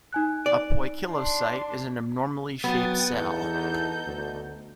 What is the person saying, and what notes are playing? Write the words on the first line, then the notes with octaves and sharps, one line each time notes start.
A "poikilocyte" is an abnormally shaped cell.
D#4 G#5 F#6
D5
D4 C6
F#3 B3 G5 D#6 A6
E2 D#4 A4 G6
D2